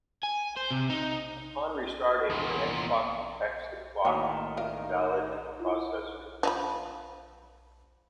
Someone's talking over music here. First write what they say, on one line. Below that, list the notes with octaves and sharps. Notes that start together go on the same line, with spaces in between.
Upon restarting, the Xbox detects the clock is invalid and the process repeats.
G#5
C5
C3
D#4
E2 A#2
A2 D#3 A#3 F#4 C#5
D#4 A#4 D5 E5 F5
E4 F4
F3 D#5 B5